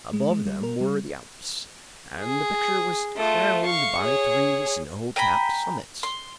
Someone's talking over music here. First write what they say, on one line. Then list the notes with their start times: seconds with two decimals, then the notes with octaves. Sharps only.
Above them were the Alps, and the picture was crowned by three snow-capped summits.
0.13 G#3
0.30 G#3
0.46 G3
0.63 A#4
0.80 G3
2.20 G#4
3.17 A3 F4
3.64 F5 C#6
4.00 G#4 C#5
5.16 G5 G#5 A#5 B5
6.03 C6